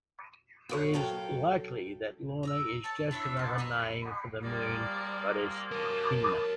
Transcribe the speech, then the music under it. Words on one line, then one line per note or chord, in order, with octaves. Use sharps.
It is likely that Lona is just another name for the Moon goddess Hina.
F4 F#4 C#5
F#3 A4 F5 G5
A#5 D#6 E6
A4 C#5 A5
D4 E4 C#5 E5
C5 A5
E4 A#4 B4 D#5
G#2 F3 G3 A#3 D5
A#4 C#5 A5